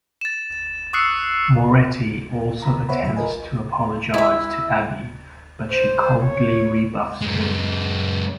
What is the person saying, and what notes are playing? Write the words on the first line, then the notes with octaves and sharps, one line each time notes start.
Moretti also attempts to apologize to Abby, but she coldly rebuffs him.
A6 E7
C#6 D#6 E6 F#6 C7 C#7
A#5 B5
B3 C5 C#5 E5 F#5 B5
E2 D3 F#3 E5 B5
F4 A#4 B4 D#5 G#5
E4 E5
C5
C#5
F#2 G#3